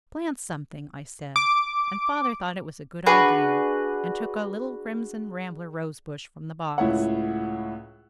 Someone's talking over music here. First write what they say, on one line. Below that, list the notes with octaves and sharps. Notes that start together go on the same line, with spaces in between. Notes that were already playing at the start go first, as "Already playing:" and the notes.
"Plant something!" I said, and father thought it was a good idea and took a little crimson rambler rose bush from the box.
D6
D4 F#4 G#4 B4
C#2 A2 E4 C#5 F#5